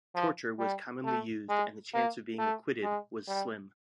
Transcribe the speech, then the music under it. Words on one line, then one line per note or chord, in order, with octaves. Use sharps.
Torture was commonly used and the chance of being acquitted was slim.
F3
G3
A3
G#3
A#3
A3
G#3
G3